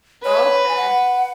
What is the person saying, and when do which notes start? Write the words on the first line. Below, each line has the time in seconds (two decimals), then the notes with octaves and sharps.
Oh, okay.
0.24 B4 C#5
0.68 G#5
0.76 F#5